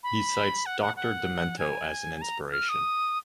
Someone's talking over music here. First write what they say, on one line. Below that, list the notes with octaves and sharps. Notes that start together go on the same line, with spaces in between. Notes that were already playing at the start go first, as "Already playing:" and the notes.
He cites Doctor Demento as an inspiration.
B5
F#5
F#5
F#5
G#5
A#5
F6
D#6